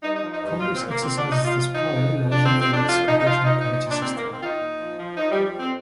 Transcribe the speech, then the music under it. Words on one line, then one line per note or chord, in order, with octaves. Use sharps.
Congress exercises this power largely through its congressional committee system.
G2 D#4
D#4
F3
D#4
G2
D#4
A#2 F4
C4
A#2
A#3
A#2 C4
A#2 D4
A#2 D#4
F4
F3
F4
F3 D#4
F2
F2
F3 D4
F2 C4
C4
F2 D4
F3 F4
F3 D#4
D#4
F3 F4
F3 D#4
A#2 D#4
D#4
A#2 D4
D#3 C4
A#3
G#2
C4
D#3 D#4 F4
A#2
F3
F3
F3 D#4
F3 G3
G3
F2 C4